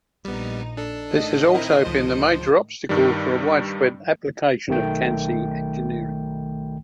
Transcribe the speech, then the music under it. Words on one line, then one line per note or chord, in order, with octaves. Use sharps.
This has also been the major obstacle for a widespread application of Kansei engineering.
A#1 G3 B3 D#4
D4 A4
A2 D#3 D#5
C4 E4 A#4
C#2 F3 C5
G2 D#3 G3
B1 D#3 A3 G5